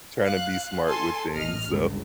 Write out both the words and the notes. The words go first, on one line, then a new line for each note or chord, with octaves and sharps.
tryna be smart with things. So
F5 F#6
A4 G#5 C6
A1 A#2 D#5 F6
G1 C#2 G2